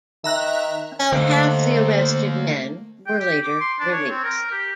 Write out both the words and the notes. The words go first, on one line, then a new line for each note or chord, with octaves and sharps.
About half the arrested men were later released.
D#3 E5 A#5 F#6
D3 A3 A#3 C5 D#5 F5
G5
G4
D6
C6
D4
C#5
C4
A#4
G4